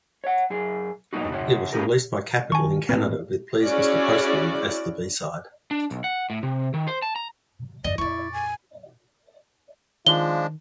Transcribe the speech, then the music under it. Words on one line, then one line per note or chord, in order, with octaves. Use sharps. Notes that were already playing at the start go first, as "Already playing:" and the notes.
It was released by Capitol in Canada with "Please Mister Postman" as the B-side.
C#5 F#5
F#2 G#4
B2 D#3 F#3 A#3 D#4 F#4
C#3 F#4 C#5
A#3 C#4 D#4 F4 G4 A#4
D#3 G#5 A5 C#6
A2 A#3 C4 B4
C#4 E4 F#4 G#4 D5
D4
B1
F#5
A2
C3
D#3
C5
A5
A#5
F#2 E3 D5 D#5
F2 A#2 E4 D5 C#6
G#5
D#3 F3 G#3 D4 F4 G7